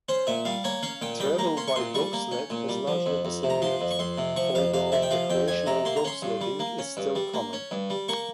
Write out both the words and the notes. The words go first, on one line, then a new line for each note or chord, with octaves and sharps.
Travel by dog sled has largely disappeared, although recreational dog-sledding is still common.
C#4 C5
A#2 E5
G3 F5
A#3 C#5
C#4 F5
A#2 G5
G3 G5
A#3 A#5
C#4 C6
C#6
A#2 C6
G3 C#6
A#3
C#4
A#2
G3
F3
F2
F2
C3
A#5
F3 C6
F2
C#6
F2 C6
C3
F3 C#6
F2 F5
F2 F5
C3 E5
G5
F3 F5
F2 G5
F2 G#5
C3 A#5
A#3 C6
A#5
C#4 C6
G2
G3
A#3
C#4
G2
G3
A#3
C#4
G2
G3
A#3 C#6